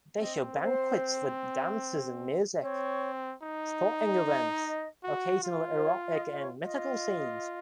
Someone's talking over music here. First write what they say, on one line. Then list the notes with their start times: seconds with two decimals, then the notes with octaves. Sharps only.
They show banquets with dances and music, sporting events, occasional erotic and mythical scenes.
0.20 C4 D#5
0.53 A#4
0.61 C5
2.62 C4 C#5
3.42 D#4
4.24 D#5
4.47 D#5
5.03 F#4
5.44 F4
5.76 C5
5.84 C#5
6.12 D#5
6.33 D#5
6.39 C#5
6.64 F4 D#5